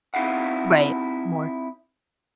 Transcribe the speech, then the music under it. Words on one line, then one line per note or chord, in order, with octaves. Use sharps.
Right. More.
C4 D#4 E4 F5 F#5